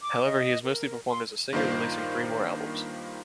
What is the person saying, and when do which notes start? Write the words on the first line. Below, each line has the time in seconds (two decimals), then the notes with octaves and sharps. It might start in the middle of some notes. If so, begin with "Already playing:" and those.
However, he has mostly performed as a singer, releasing three more albums.
0.01 D6
0.25 D#5
0.64 A#4
1.10 C6
1.53 G2 D#3 A#3 F4 C5 F5